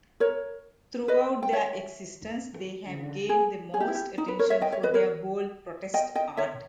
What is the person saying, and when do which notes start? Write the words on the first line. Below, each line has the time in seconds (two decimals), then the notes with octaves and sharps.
Throughout their existence, they have gained the most attention for their bold protest art.
0.20 A#4 C#5
1.08 B4 D#5
1.43 G5
1.53 C#5 E5
3.29 G#4
3.74 G#4
3.80 G4
3.88 E4
3.95 G4
4.18 D#4
4.28 B4
4.39 A#4 C#5
4.50 C#5 E5
4.61 D#5 G5
4.72 C#5 E5
4.83 B4 D#5
4.94 A#4 C#5
5.94 D#5 G5
6.15 D#5 G5
6.37 C#5 E5